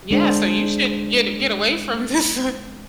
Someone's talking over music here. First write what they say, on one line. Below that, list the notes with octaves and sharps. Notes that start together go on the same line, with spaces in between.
Yeah, so you should get get away from this
G#3 D4 G#4 C5